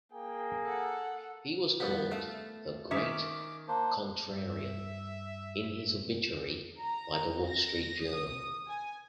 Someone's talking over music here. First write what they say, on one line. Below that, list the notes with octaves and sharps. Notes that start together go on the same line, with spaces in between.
He was called "The Great Contrarian" in his obituary by "The Wall Street Journal".
A#3 G#4 G5
A4 F#5
G2 F3 B3
A3 F5
D#3 C#4 E5 D6
A#3 D4 C5
G2 E5
A#5
A#6
D#6
G#5